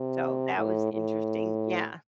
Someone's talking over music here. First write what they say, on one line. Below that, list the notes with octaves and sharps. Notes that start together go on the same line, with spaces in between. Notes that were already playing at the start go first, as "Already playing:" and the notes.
So that was interesting, yeah.
Already playing: C3
A2
A2